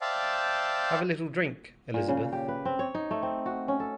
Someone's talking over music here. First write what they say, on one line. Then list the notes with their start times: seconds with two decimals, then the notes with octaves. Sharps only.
Have a little drink, Elizabeth?
0.01 C5 D5 E5 F5 G5 A5
1.94 A#2
2.08 C#3
2.32 G4
2.48 B4
2.65 C4
2.79 C#5
2.95 D#4
3.11 A3
3.23 C4
3.46 F#4
3.68 C#4
3.80 A4